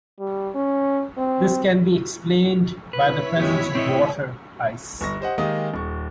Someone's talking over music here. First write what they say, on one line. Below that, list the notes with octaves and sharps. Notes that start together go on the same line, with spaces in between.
This can be explained by the presence of water ice.
G3
C#4
C4
E4 B4 C#5 B6
F#2 G#3 B3 G4
A2 E3 C4 E4 C#5 D#5
G1 C#6 A#6
G4 C5 D#5 F#5
D#3 G#3 A#3 G4 D#5 D#6
D#1 C#6